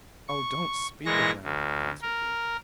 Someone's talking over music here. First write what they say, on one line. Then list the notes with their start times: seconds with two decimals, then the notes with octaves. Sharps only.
'Oh! don't speak of them,' answered he.
0.28 C#6
1.05 A#2 E3 G#3 C#6 A#6
1.44 D2
2.01 A#4